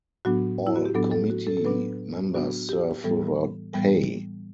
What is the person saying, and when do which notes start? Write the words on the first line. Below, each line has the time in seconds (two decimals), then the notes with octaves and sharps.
All committee members serve without pay.
0.25 A2 F#3 B3 D4 F#4
0.67 E4
0.76 F#4
0.85 G4
0.94 A2 F#3 B3 D4 A4
1.11 A4
1.30 F#4
1.47 A4
1.57 A4
1.64 A2 F#3 B3 D4 B4
2.34 A2 F#3 B3 D4 F#4
2.69 G4
3.04 A2 E3 G3 B3 A4
3.74 A2 E3 G3 B3